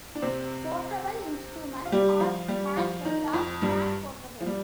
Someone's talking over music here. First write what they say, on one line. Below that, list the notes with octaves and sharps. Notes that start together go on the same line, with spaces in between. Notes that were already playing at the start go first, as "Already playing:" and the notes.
Portable instruments are hand-held or transportable.
D4
C3 C4
F4
G3 G4
F3 F4
G3 G4
F3 F4
D#3 D#4
F2 F3
G2 G3
F3
G3